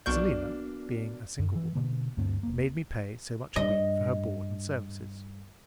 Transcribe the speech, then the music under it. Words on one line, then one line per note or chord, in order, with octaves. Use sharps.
Selina, being a single woman, made me pay so much a week for her board and services.
B1 A#3 B3 D4 F#4 D5 C#6 G6
F#2
E3
B2 D3 A#3
D2 G2 A3 C4
E1 A#3
G2 D#5